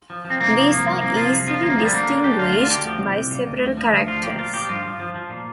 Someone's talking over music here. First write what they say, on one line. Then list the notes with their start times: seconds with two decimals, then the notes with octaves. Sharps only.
These are easily distinguished by several characters.
0.10 F3
0.25 F3
0.30 C4
0.40 C2 A#3
0.55 F3
0.71 F3 A#3
0.86 C2
1.01 C2 A#3
1.17 F3 F4
1.32 C3
1.47 F3 F4
1.63 D2 A#3
1.78 F3
1.83 G3
1.93 D3 A#3
2.09 D3
2.24 D3 G4
2.39 D2 F4
2.54 D3 F4
2.70 D2 G4
2.85 F3
3.00 C2
3.15 C2
3.31 A#2
3.46 D2
3.61 D2
3.77 F3
3.92 D2
4.07 F3 F4
4.23 A#2 G4
4.39 A#2 F4
4.54 F3 G4
4.69 G2 F4
4.84 F3
5.00 F3
5.15 F3
5.30 A#2